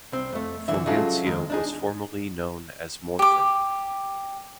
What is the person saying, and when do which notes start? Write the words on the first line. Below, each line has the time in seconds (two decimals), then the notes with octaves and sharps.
Fulgencio was formerly known as "Morthon".
0.12 C2 C4
0.33 F2 A3
0.68 C2 D3 E3 E5
0.86 C#3 F3 F#3 G#3 F4 A4
1.26 D#2 G#3
1.50 D4 D#4 G#4
3.19 G4 D6